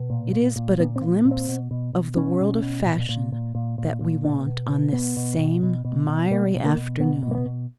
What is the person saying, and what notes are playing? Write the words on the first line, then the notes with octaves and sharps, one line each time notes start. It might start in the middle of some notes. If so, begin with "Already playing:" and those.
It is but a glimpse of the world of fashion that we want on this same miry afternoon.
Already playing: B2
A#2
A#2
A#2
A#2 B3
C4
A#2
A#2
C4
B2
B2
B2
B2 C#4
B2
B2
A#2
A#2
A#2
A#2
A#2
A#2
B2 D4
B2
B2
B2 B3
B2
B2
B2
B2
B2
B2 A#3
B2
A#3
B2
B2 B3
B2
A#3
B3
B2